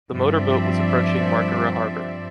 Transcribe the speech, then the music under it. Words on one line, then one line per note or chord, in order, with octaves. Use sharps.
The motorboat was approaching Marghera harbor.
G2 F3 C4 D5 E5